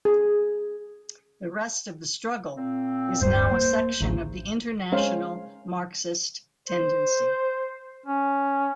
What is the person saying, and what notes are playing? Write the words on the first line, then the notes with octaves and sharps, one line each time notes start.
The rest of The Struggle is now a section of the International Marxist Tendency.
G#4
A#2 C4
D1 G2 C5
A#3
A1 D2 C#3 F#3 A3
G#3 C#4 C5 F5
C5
C#4